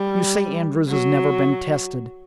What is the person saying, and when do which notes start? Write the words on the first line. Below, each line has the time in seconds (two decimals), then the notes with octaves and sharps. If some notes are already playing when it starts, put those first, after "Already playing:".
You say Andrews has never been tested.
Already playing: G3
0.89 F#3